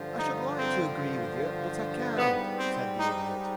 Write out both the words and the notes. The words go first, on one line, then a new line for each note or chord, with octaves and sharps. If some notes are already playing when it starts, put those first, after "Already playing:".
"I should like to agree with you, but I can't," said the Idiot.
Already playing: G2 D3 F3
D#4
C4
G#2 G3 B3
C4
D#4